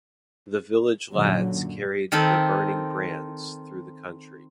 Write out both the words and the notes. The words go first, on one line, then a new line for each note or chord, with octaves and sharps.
The village lads carried the burning brands through the country.
F#2 A#2 D3 F#3
D#3 C4 A4 B5